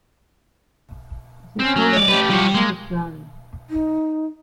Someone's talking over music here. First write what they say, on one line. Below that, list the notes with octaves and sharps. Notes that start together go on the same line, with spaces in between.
They call themselves the Zara.
C4 C#4
F#3
C#5 D5
A3 G4 B4
F3 G3 C#5
G#3 A#3
D#4